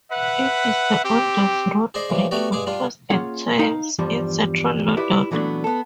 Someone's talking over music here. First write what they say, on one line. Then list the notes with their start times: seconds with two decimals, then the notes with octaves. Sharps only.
It is the oldest road bridge across the Thames in central London.
0.11 B4 E5 F#5
1.04 C4 G4
1.94 G#4 C5 D5 D#5
2.10 C#3 E3 F3 G3
2.31 A3 B3 F#4 G4 D5
2.52 G2 G#3 G#4 D6
2.67 G3 D4 F4
3.10 A#3 C#4 F4 G#4 C#5 F#5
3.59 D#4 F5
3.99 E2 G2 F3 G3
4.97 E4 F4 G4 B4 D5
5.31 A#2 E3 F#3 A3 B3 D4
5.64 B3 A4